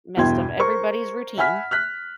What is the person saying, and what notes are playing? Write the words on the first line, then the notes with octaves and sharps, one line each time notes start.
messed up everybody's routine.
G1 E2 B2 G5 C6 G#6
A#4 C5 C#6
E5 F#5 G#5 B5 F6 B6
F6 F#6 B6